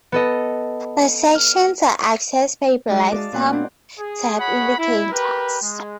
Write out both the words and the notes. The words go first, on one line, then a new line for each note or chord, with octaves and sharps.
The sections are accessed by black thumb tab indicators.
B3 A4 D#5
F6
G#3 D#4 F#4 G#4 D#5 E5
D5 F5 A5
A#2 F#3 B3 F#5
C4
G#4
F#4 G#4 C#5 F#5 B5
E4
G4 A#4 B4
G#3